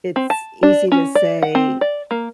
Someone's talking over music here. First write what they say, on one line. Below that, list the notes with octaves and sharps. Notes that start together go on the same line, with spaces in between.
it's easy to say,
C4
A5
D4
C#4
D5
F#5
C4
D5
A#3